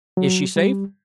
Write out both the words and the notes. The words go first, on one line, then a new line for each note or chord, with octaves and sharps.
"Is she safe?"
F#3
G3